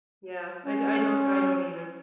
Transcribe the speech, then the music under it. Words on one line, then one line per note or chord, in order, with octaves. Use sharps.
Yeah, I d I don't I don't either
C#4